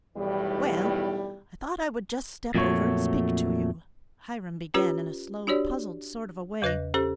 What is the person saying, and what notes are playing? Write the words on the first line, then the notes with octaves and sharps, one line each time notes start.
"Well, I thought I would just step over and speak to you," Hiram began, in a slow, puzzled sort of a way.
B1 E2 A2 D#3 G3
F2 A#2 F#3 A3 C#5
C#4 F4 G4 B4 C#5
D4 F#4 G4 C#5 D5
E2 C#3 B4 D#5 F#6 A#6
C#4 G4 A4 C5